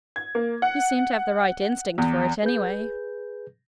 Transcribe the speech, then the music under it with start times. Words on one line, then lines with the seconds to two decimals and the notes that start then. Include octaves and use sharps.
"You seem to have the right instinct for it, anyway."
0.16 G#6
0.35 A#3
0.62 F#5
1.98 E2
2.43 G#4 B4 G6